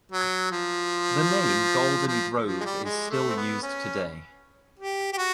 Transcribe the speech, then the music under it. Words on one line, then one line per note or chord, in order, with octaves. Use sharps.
The name Golden Grove is still used today.
F#3
F3
F3
F3
G#3
G3
G#3
A3
C4
B3
C#4
G4
G4
F#4